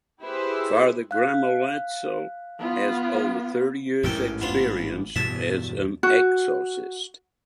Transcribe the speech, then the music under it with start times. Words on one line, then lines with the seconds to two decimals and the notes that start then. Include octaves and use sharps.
Father Gramolazzo has over thirty years experience as an exorcist.
0.23 E4 G4 G#4 B4 C5 E5
1.11 F5 F#6
2.59 B3 F4
4.04 A1 G#2 E3 A4 A#4 G5
4.41 B3 D4 F4
5.16 E2 G2 B2 E5 A5
6.03 F#4